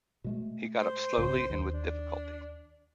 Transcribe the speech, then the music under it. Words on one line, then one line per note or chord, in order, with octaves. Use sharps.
He got up slowly and with difficulty.
B2 G#3 A3
C5
B1 G#2 C#3
D#2
D4